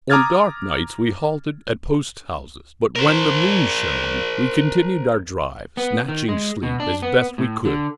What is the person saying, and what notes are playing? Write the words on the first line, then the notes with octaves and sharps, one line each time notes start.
On dark nights we halted at post-houses, but when the moon shone, we continued our drive, snatching sleep as best we could.
A#5 D6 D#6 F6 G#6 A6
A#4 C5
B3
D#3
G#3
B2
D4
B3
A2
D3